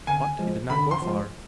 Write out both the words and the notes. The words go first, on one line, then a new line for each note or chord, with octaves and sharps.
But he did not go far.
D3 G#5
F3 G#3
D3 B5
C6
F3 G#3